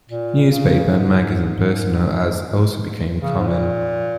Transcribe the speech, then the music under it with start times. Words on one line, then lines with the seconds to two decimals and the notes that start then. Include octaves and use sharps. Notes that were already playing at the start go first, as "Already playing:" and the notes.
Newspaper and magazine personal ads also became common.
0.09 A#2
0.51 C#3
0.90 G#2
3.21 C#3
3.38 G#2
3.47 A#2